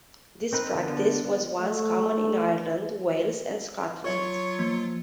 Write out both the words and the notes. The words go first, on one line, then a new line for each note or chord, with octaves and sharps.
This practice was once common in Ireland, Wales, and Scotland.
C4 D#4 A#4 B4
D3 B3
B3 D5
A3
F#3 F4 C#5 C#6
F3 A#3